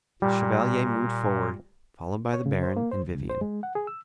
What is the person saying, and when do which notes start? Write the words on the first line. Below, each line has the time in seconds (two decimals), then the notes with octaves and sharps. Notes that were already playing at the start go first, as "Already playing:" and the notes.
The chevalier moved forward, followed by the baron and Vivian.
0.22 A#2 G3
2.34 C#5
2.46 C#3
2.63 C5
2.77 A#3
2.91 C5
3.03 D2
3.15 C#2
3.30 C5
3.41 G#3
3.63 F#5
3.75 G#4
3.87 E6